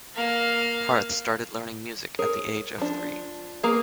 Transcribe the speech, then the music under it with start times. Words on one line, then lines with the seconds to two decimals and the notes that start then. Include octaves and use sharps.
Parth started learning music at the age of three.
0.15 A#3 F5
2.19 G#4 A#4 C#5
2.78 F3 D4
3.63 A#3 B3 G#4 A#4